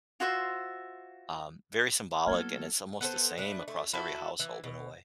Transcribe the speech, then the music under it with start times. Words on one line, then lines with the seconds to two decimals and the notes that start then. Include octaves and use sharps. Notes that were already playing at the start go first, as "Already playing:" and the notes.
um, very symbolic, and it's almost the same across every household in a way.
0.20 F4 F#4 C5 E5
2.27 F#3 A#3 B3 E4 A4 F6 G#6 G7
3.01 B3 A4 C5
3.38 A3 D4 B4
3.68 A3
3.93 E4 F#4 A4
4.40 E3
4.64 B2